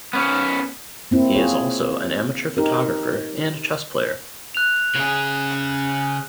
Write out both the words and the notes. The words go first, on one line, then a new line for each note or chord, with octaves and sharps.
He is also an amateur photographer and chess player.
B3 C#4
A#3 C4 E4
F4 G#4 C#5
D#4 G4 A#4
F#6 F7
C#3 G#4